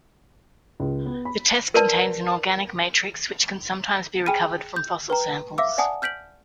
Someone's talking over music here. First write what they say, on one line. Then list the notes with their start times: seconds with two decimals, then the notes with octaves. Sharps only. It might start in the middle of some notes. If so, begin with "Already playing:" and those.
The test contains an organic matrix, which can sometimes be recovered from fossil samples.
0.80 C#2
1.06 B3
1.25 B5
1.74 A#4 B4 D5 A5
4.26 G#4 G5 G#5 B5 F6 D#7
4.76 G6
5.10 B4 G5 A#5
5.58 E5 F5 D6 E6
5.78 D5 F#5 G#5 A5 D#6
6.02 F6 G6 B6 D7 F#7